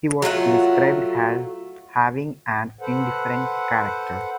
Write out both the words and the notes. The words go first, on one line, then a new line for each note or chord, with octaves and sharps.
He was described as having an indifferent character.
F#3 A3 F4 F#5
A4 B4 C5 F#5